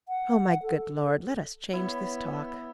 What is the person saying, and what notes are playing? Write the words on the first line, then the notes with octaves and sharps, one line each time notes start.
Oh, my good Lord! let us change this talk....'
F#5
A4
B3 E4 C#5